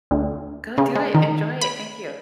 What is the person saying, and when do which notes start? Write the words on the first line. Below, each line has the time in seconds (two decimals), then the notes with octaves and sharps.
Go do it, enjoy it, thank you.
0.11 D2
0.78 C#3
0.95 G#3
1.14 D#3
1.61 B5